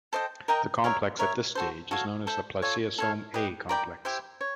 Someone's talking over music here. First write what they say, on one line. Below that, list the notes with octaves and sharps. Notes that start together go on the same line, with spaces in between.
The complex at this stage is known as the spliceosome A complex.
A4 C5 D#5 G5
A#4 D#5 G5 A#5
A#4 C#5 E5
A#4 C#5 E5
F#4 A4 C5
F#4 A4 C#5 F5
A4 C5 E5
F4 A4 C#5
A4 C#5 F5
G4 B4 D#5
A#4 D5 G5 B5
E4 G4 C5 E5
C#5